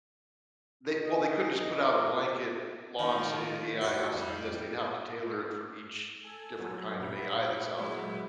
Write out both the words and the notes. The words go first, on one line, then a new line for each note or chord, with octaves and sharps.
they well, they couldn't just put out a blanket law and say the AI has to do this, they'd have to tailor it for each different kind of AI that's out there.
D#5
D#3 F3
E4 F#4 G4
F2 G3
A4 G#5
F#3
A#2 E4 F#4 B5
F#3 G#3